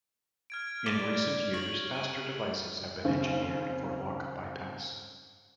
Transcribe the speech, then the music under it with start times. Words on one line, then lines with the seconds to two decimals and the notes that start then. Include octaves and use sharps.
In recent years faster devices have been engineered for lock bypass.
0.50 F6 G#6 D7
0.86 D5
1.54 C#5 F#7
1.93 D#7
3.04 D#2 C#3 C4